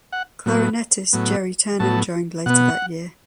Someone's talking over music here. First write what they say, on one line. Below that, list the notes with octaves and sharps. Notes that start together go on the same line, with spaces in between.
Clarinettist Gerry Turnham joined later that year.
F#5
A2 F#3 B3
A2 F#3 B3
A2 F#3 B3 A5
B2 B3 F#5